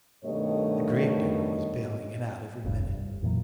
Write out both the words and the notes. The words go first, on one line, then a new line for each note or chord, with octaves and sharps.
The gravedigger was baling it out every minute.
G2 B2 D#3 A3 C#5 D#5
F1 C2 G2
G1
F2 A#2 E3 F#3